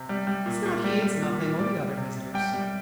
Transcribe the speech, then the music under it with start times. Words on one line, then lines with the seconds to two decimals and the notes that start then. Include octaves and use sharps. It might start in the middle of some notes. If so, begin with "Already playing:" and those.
"It's not he, it's nothing, only other visitors."
Already playing: C3
0.09 G3
0.27 G3
0.46 A#2
0.66 A#2
0.84 G3
1.02 G3
1.22 A#2
1.40 A#2
1.59 G3 D5 D6
1.78 G3
1.97 C3
2.15 C3
2.34 G3 G5
2.54 G3